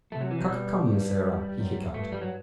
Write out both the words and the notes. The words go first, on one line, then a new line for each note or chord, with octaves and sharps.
"Cuc-come, Sarah," he hiccuped.
C3 A3
F#3
E3
F#3
B2 G3
G2
F#2
G2 A3
G3
F#3